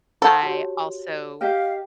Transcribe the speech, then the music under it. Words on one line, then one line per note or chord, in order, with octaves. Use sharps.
I also
A4 C5 F5 F#5 B5
F#4 G4 C#5
G4 D#5 F5 G5 F6 B6